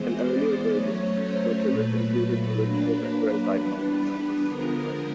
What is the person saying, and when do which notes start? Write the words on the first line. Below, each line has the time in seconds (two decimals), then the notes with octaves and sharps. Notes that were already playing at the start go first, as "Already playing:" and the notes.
In earlier versions, Nautilus included original vectorized icons designed by Susan Kare.
Already playing: E3 G#3 B3 C5
0.23 D5
0.70 F#3 A3 C#4 C#5
1.18 C5
1.65 A#2 F#3 A3 B4
2.59 F#3 A#3 D4
3.54 E3 G3 B3 D4
4.47 D3 F3 G#3 B3 A#4